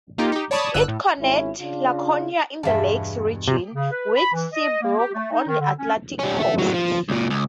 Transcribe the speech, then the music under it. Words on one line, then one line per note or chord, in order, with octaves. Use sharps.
It connects Laconia in the Lakes Region with Seabrook on the Atlantic coast.
A#3 D#4 F4 G4
D#4 G4
C#5 D5 A5 B5 C#6 D#6
G1 D3 E6 F#6
A2
G#1 C#4 E4
C#3 D4 F4
E2 G2 B2 E5 F5 A5
C3
C#3
B4
B5
E3
D#5
A#3
G4
A3
D#4
D#3
D3
C#4
G3 C#4
A3 E5
A2 F#3
F3
C#2 A#2
C#2